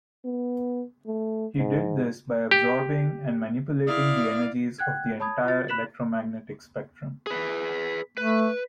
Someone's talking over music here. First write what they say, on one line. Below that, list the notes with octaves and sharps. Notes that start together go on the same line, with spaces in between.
He did this by absorbing and manipulating the energies of the entire electromagnetic spectrum.
B3
A3
G#2
G4
E4 D5 F5 D#6
F#5 G5 F#6 G#6
C#5 A5 B5 D#6 G#6
F4 F#4 A6
B5 F#6 B6 E7 F#7
G#4 B4
A3 B4